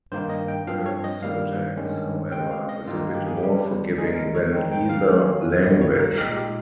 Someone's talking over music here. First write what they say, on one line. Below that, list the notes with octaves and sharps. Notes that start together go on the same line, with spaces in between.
The syntax, however, is a bit more forgiving than either language.
G2 D#3 A#3 D#4 C5
D#5
G5
G2 F3 C4 F5
C#5
D#5
G2 D#3 G3 A#3 F5
G2 D#3 G#3 C#4
C#3 G#3 C4 G5
F5
D#5
G2 D#3 A#3 D#4 F4
G4
G#4
G4
C#3 G3 C#4
C#3 G#3 D#4 G#4
A#4
C#5
D#3 G#3 C4 D#4
G5
F5
D#3 A#3 C#4
G2 D#3 G3 A#3 D#5
C#5
A#4
A#2 G#3 D#4 G4
G4